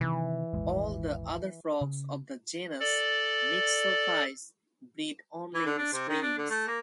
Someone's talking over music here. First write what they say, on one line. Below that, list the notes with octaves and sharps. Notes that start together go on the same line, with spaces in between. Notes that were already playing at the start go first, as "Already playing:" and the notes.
All the other frogs of the genus "Mixophyes" breed only in streams.
C3 D#3 E3
D#1 G#1 G#3
C#3
A4 D5
E3
D3
D4
C3
D#3
D4
D3
A3
A#3